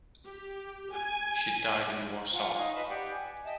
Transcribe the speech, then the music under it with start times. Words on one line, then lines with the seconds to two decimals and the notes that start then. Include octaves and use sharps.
She died in Warsaw.
0.25 G4
0.92 G#5
2.32 F4 F#5 G#5 A#5
2.57 D#4 F5 C#6
2.74 B4 D#5 F5 A5
2.87 G4 D5 F#5
3.09 G#5
3.44 D#5 E5 G5 A5